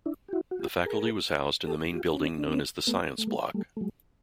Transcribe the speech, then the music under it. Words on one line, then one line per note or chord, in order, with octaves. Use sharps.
The faculty was housed in the main building known as the "Science Block".
D4 E4
G4
E4 F#4
F#4
F4 G4
G#4 A#4
G4 A4
F4 G4
C#4
C4 D4
D4
B3 C#4
A3 B3
A3
G#3 A#3
G3 A3
A3
F#3 G#3